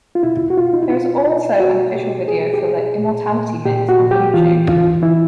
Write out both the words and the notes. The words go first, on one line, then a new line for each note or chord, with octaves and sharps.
There is also an official video for the "Immortality Mix" on YouTube.
F4
B2 E4
F#4
B2 F4
D#4
E4
B2 F4
B2
B2 F#4
B2 G4
B2 G#4
G4
B2 G#4
A#2
A#2
A#2 G4
F#4
A#2
G4
E3 F4
E3 F4
E3 E4